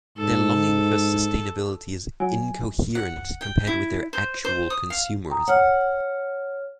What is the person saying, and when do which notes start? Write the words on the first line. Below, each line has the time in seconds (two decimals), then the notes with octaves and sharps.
Their longing for sustainability is incoherent compared with their actual consumerism.
0.18 G#2 A4
2.20 F#3 G#5
2.95 F#5
3.41 G5
3.67 E4
4.13 C5
4.45 C5
4.70 D#6
4.90 F5
5.31 G5 A#5 D#6
5.47 C#5 F#5 F6